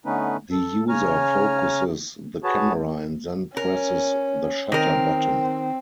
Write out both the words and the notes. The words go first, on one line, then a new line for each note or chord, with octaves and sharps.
The user focuses the camera and then presses the shutter button.
D3 A3 B3 C#4 D#4 B4
A4
C#3 C#4 C#5 G#5 A#5 F6
F#4 G#4 B4 C#5 A5
C#4 A#4
D#3 C4 A#4